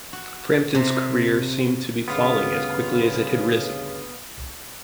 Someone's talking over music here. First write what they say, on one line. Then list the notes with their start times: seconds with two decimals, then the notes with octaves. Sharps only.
Frampton's career seemed to be falling as quickly as it had risen.
0.13 F#4
0.75 C3
2.08 D2 G2 C#3 B3 F4